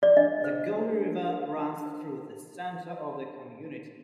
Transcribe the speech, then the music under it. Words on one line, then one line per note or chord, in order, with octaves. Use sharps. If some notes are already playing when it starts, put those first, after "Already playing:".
The Gauley River runs through the center of the community.
D5
D4 D#5
C5
D4
D4
A#4
D4
C5